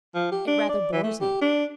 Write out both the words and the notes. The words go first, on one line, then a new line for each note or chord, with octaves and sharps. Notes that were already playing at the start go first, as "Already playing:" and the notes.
It rather bores him.
F3
G4
D4
D5
E3
A3
G4
D4